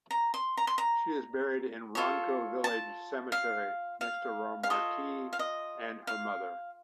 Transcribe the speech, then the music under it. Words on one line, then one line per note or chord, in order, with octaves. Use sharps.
She is buried in Ronco Village Cemetery, next to Remarque and her mother.
A#5
C6
A#5
C6
A#5
F4 A4 C#5
A5
F5
F5
F5
F4 A4 C#5 D#5
F5
D#5
F5